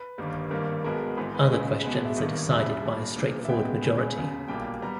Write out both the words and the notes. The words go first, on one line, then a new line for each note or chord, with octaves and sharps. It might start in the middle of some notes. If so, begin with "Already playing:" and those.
Other questions are decided by a straightforward majority.
Already playing: B4
G1 G2 D#3 G3 A#3
G#1 G2 D#3 G3 A#3 A#4
B1 B2 G#3 B3 A#4
G#1 G#2 E3 B4
B4
D#5
C#2 C#3 G#3
B1 B2 G#3 B3
E5
G#1 G2 D#3 A#3 D#5
E1 D#2 C#3 G3 E5
B1 A#2 G3
A#1 A#2 A#3
E5
C#2 B2 G#3 B3 G5
C#2 C#3 G#3 B3 G#5
E1 D#2 C#3
B1 A#2 G3 A#3 G5
G3 B3 A#5